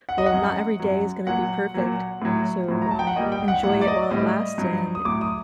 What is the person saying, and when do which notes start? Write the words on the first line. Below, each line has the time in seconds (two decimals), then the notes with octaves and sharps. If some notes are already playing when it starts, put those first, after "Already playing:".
well, not every day is gonna be perfect, so, um, enjoy it while it lasts and
0.09 F#5
0.18 D#5
0.26 F#5
0.32 F#2 F#3
0.80 F#2 F#3
1.27 A#2 F#3 F#5
1.74 A#2 F#3
2.22 A2 F#3
2.68 A2 F#3
2.82 A#5
2.91 A5
2.99 G5
3.07 F#5
3.16 A#2 G3 D#5
3.32 G5
3.48 F#5
3.63 A2 F#3 F#5
3.81 D5
3.88 D#5
4.11 A2 G3 D#5
4.58 G2 F#3
4.95 D#6
5.05 A2 F#3 D6
5.21 D#6